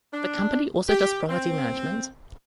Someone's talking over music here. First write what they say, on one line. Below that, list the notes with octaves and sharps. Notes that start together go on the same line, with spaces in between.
The company also does property management.
D4
G4
C4